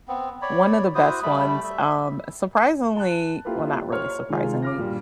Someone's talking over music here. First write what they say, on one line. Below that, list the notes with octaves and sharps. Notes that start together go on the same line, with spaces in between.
one of the best ones. Um, surprisingly well, not really surprisingly,
B3 C4
C#5 D5 B5
E4 F#4 C5 D#6
G3 A3 B5
E5
A5 F#6
A#3 E4 F4 G4 A4 B4
C#5 C6 F6
C3 D#3 G#3 F4 G#5
D6 F6 A#6
G2 A#2 G3 D4